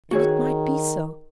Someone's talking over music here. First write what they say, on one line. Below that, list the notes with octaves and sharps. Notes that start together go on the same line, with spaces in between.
And it might be so.
D#3 F#4 G#4 C#5